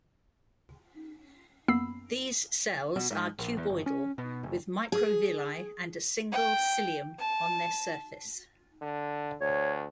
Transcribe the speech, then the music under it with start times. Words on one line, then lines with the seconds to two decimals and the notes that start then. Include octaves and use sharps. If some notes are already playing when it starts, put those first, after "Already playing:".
These cells are cuboidal, with microvilli and a single cilium on their surface.
1.68 F#2 A#3 B3 B5 E6 C7
2.96 B2
3.11 G#2
3.39 A#1
3.57 E2
3.69 G1
3.86 C#4
4.18 B2
4.43 F#1
4.92 G#4
6.32 G5
7.19 A5
8.82 D3
9.41 D2 C#5